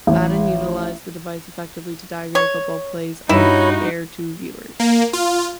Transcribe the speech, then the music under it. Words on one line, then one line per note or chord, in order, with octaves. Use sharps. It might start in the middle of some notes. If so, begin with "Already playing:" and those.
Madden utilized the device effectively to diagram football plays on-air to viewers.
A1
C#5
G2 D#4 E4 F#4 C#5 B5
A#3
F4